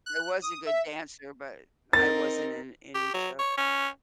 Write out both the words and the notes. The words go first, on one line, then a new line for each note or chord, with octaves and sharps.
I was a good dancer, but I wasn't in any show.
F#6
D#6
E5
C4 D#4 A#4 A6
G4
F#3
C#5
C#4